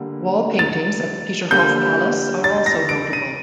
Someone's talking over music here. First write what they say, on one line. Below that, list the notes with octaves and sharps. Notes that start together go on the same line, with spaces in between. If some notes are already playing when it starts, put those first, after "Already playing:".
Wall paintings at the Peterhof Palace are also notable.
Already playing: D3 G3 A#3
A6
D3 G3 A#3 G6
A6
A#6
D7
D#7